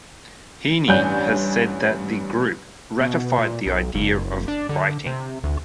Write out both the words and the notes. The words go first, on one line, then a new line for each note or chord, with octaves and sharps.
Heaney has said that the group "ratified the idea of writing".
A1 G2 D4 G#5 G6
B2
A#2
B1
F#1
D4
D3
C3
D2